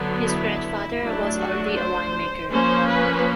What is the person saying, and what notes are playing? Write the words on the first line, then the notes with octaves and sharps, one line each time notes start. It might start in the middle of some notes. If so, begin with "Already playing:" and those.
His grandfather was already a winemaker.
Already playing: D3 F#3 B3
E4
F#3 A3 D4
F#4
C5
F3 A#3 C#4 C5
B4